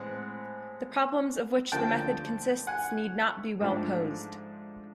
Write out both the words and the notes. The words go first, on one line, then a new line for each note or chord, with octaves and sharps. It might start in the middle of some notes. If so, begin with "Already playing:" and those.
The problems of which the method consists need not be well-posed.
Already playing: A2 E3 G#3 C4 F#5
D2 D3 F3 A#3 G5 A5
F#5 G#5
G#2 F3 A3 D4